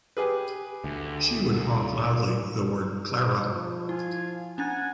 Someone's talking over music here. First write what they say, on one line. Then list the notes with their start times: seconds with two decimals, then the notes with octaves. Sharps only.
She would honk loudly the word ‘Clara’.
0.17 G4 G#4 B4
0.84 D2
3.43 F3
3.89 E4 F4 G#5
4.58 C#4 D4 F#5 G#5 A6